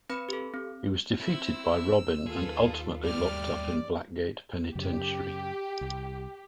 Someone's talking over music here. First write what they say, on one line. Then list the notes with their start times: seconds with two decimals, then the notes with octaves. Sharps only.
He was defeated by Robin and ultimately locked up in Blackgate Penitentiary.
0.09 C4 B4 B5
0.29 G4 A4
0.54 C4
1.20 C4 E4 E6
2.27 D#2 F4 G#4 A4 B4
3.04 G2 G3 A3 G4 D5 F6
4.75 F#2 C#3 G4
5.81 C2